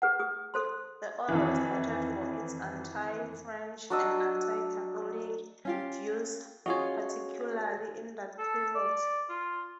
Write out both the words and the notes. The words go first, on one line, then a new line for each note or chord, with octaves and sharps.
The Order was noted for its anti-French and anti-Catholic views, particularly in that period.
G#4 B4 F#5
G#4 D#6
A4 C5 C6
F2 D#3 E3
F#3 D4 D#5 E6
C#4 F4 G4
C#4 F4 F#4 G#4 C#5 D#5
A4
D5
F4